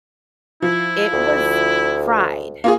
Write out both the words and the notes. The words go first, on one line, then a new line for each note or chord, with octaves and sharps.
it was fried.
F3 E4
D2
A#3 F4 G#4